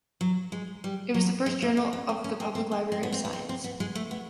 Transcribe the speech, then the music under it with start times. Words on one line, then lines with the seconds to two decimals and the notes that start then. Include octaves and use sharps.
It was the first journal of the Public Library of Science.
0.21 F#3
0.52 G#3
0.84 G3
1.14 F#3
1.46 G#3
1.62 A3
1.77 A3
1.93 B3
2.09 C4
2.24 C#4
2.40 C4
2.55 C4
2.71 C4
2.92 C4
3.03 B3
3.12 C4
3.25 B3
3.33 C4
3.49 C4
3.64 B3
3.80 G#3
3.95 A3
4.11 B3